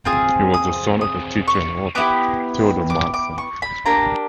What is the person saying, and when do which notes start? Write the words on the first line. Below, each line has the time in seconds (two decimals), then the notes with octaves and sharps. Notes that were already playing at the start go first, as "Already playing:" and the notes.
He was the son of the teacher and author Theodor Madsen.
0.05 C4 F4 G#4 D#6
0.54 D#6
1.01 D#6
1.48 C#6
1.95 B3 E4 G4 D6
2.90 D6
3.14 D6
3.38 C#6
3.62 B5
3.86 A#3 D4 G4 A#5